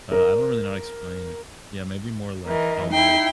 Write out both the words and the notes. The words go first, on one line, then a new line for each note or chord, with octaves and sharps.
Uh, I don't really know how to explain it. Yeah. Maybe more like almond.
A#4
E3 A#4 D#5
D#4 E4 G5 C7